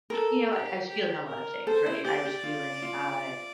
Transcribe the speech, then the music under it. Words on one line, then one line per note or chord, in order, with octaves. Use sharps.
you know, I was feeling a lot of things, right? I was feeling, I
A4 A#4
G4
G4
A#4
A4 C5
E4
G4 D5
G4
F4
F4